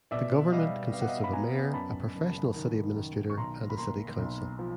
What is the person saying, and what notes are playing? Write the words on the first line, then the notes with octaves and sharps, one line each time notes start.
The government consists of a mayor, a professional city administrator, and a city council.
B2 D5 E5
G3 D#5 F5
B3 F5
F#5
D#5 F5
B5
B3 G#5 A#5
F#2 A5 B5
F#1
D#3
D#3
C#6
B1 A#5 C6
B5
A#3 A#5 C6
B1
F3